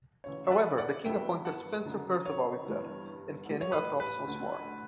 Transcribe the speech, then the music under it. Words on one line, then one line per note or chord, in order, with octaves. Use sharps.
However, the King appointed Spencer Perceval instead, and Canning left office once more.
D2 C#3 E3 C#5
E5
B4 D5
D5 F#5
G2 F#3 B3 E4 E5 G5
F#5 A5
F#1 F#2 D3
C#5
G2 E3 G3 B3 E4
A1 A2 G3
C#5
B4
B4
D2 D3 A3